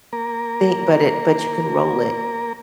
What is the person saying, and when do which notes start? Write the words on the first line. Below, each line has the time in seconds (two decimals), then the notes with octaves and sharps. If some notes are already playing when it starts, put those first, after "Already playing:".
thing, but it but you can roll it.
0.13 A#3 A#4